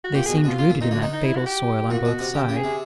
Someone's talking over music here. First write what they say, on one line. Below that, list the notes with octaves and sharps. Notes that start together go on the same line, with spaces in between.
They seemed rooted in that fatal soil on both sides.
F#4
A#2 G4
B2 G#4
F#4
B2
F4
C3 F4
A#2
A#2 D#4
D3 F#4
D#3 D#4
D#4
E4
F#4
G4
A#2 F#4
B2
C3
C#3 G4
C#3
G#4
C3